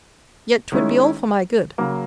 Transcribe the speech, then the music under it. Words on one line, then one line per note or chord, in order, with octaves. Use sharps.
Yet 'twould be all for my good.
D#3 G#3 C#4 E4
C#3 F#3 A#3